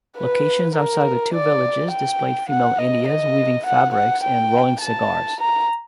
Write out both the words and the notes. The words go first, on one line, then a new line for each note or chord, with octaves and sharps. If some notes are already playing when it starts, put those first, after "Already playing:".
Locations outside the two villages displayed female "indias" weaving fabrics and rolling cigars.
B4
A#4
D5
G5
F#5
D#5
D#5
F#5
F#5
G5
A5
A#5